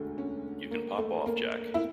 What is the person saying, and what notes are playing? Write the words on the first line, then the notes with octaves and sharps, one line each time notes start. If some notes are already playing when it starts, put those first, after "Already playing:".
You can pop off, Jack.
Already playing: E1 D2 D3 A3
C#4
A#3
A3
A#3
E4